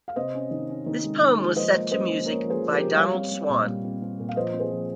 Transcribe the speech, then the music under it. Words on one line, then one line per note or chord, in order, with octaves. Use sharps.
This poem was set to music by Donald Swann.
F5
C3 C5 D#5
C#4
D#3
C#4
D#3
G#3
D#3
G#3
F3 C5 D#5
A#3
C#4 C5 D#5
F3
A#3 A#4 C#5
F3
G#4 C5
F3
G4 A#4
F3
G3 C#5 F5
C4
G3
A#2
G3
C4
C4
A#2
F5
F3 C5 D#5
C4
G#4 C5
F3